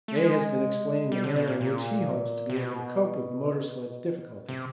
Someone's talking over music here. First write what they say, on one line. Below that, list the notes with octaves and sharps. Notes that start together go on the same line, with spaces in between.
Day has been explaining the manner in which he hopes to be able to cope with the motor sledge difficulty.
A3
G#3
G3
D3
B2
A#2
A#2
C3
B2
C3